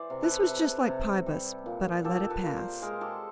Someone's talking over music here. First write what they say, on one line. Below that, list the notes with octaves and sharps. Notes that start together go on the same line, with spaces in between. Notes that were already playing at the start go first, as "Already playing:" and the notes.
This was just like Pybus--but I let it pass.
Already playing: E3 C5 D5
C3
A4 B4
C3
C3
G3
A#2
A#2 G4 A4
A4 B4
A#2
A#4 C5
G#3 G#4 A#4
G4 A4